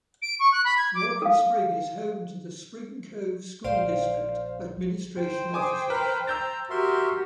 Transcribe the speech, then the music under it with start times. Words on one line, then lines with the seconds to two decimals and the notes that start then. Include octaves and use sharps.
Roaring Spring is home to the Spring Cove School District administration offices.
0.22 D7
0.39 C#6
0.52 F#6
0.64 B5
0.77 G#6
0.94 D6
1.22 A4 F5
3.65 A#1 C5 D5 F5
5.19 C5 G5
5.54 G#5 D6 D#6
5.90 A#4 B4
6.27 A#5 E6 G6 A6
6.70 F#4 G4 A#4 E5 C6